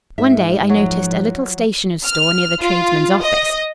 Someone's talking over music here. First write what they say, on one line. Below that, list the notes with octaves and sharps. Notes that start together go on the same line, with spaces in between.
One day, I noticed a little stationer's store near the tradesman's office.
G#2 E5
F3 F#3
F6
F4
D#5